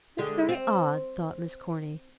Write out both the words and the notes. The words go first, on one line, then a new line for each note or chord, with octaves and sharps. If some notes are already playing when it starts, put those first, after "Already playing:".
"It's very odd," thought Miss Corny.
D3 G#3 G4
C4